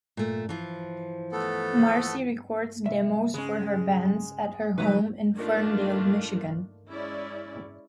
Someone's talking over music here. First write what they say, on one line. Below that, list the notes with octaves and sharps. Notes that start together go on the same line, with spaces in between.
Marcie records demos for her bands at her home in Ferndale, Michigan.
A#2 A3
E3 F3
A3 B3 A4
C2 E5
C#3 G#3 C#4
C3 D#3 F#3 B4 F#5 A#5
D#3 A3 A#3 D4 F4
G#3 C#4 E4 D5